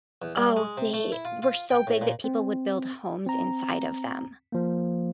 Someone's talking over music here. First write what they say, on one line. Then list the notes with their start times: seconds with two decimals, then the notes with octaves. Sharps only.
Oh, they were so big that people would build homes inside of them.
0.22 E2
0.36 G3
0.56 G#3
0.77 C3
0.94 A3
1.12 E4
1.25 F4
1.42 F4
1.70 G5
1.87 A2
2.01 A#2
2.24 C4
3.27 C4 A#5
4.52 F3 A#3